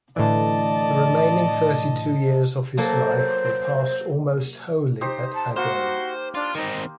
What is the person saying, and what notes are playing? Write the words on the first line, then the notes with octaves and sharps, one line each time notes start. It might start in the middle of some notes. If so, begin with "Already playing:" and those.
The remaining thirty-two years of his life were passed almost wholly at Agen.
A2 D3 E3 D5 D#5 A5
F#3 A#3 A4 C5
D#4 G4 C5
A5
A#3 F#4 C5 C6
D4 F4
D#3 C4 D#4